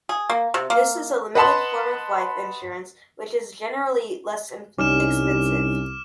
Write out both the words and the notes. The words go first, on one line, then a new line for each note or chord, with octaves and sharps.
This is a limited form of life insurance which is generally less expensive.
G#4
A#3
C3
A#3
B4 D#5 F#5 A5 B5 C6
C2 G3 C#4 D#4 D6 F6 E7